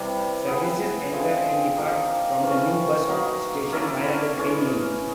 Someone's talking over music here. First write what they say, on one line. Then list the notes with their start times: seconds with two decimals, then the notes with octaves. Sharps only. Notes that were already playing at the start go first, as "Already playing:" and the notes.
Services enter and depart from the new bus station via the Green Link.
Already playing: C3 E3 G3 E4 G4
0.46 B3 E4 G#4 B4
1.11 D3 F3 G#3 C4
1.76 F3 A#3 D#4
2.42 C3 E3 A3 C#4
3.07 F#3 A#3 D#4
3.71 A#3 C#4 E4 A4
4.37 E3 G#3 C#4